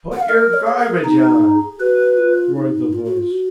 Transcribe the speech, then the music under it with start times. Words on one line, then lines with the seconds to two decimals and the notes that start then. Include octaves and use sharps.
"Put your garbage on!" roared the voice.
0.12 F#5
0.20 F5
0.29 A#4 D#5
0.53 C#5
0.66 G#4
0.79 A#4
1.04 D#4 G#4
1.80 F#4 B4
2.17 F4
2.55 D#4
2.93 F4
3.05 F#4
3.17 F4
3.31 F#4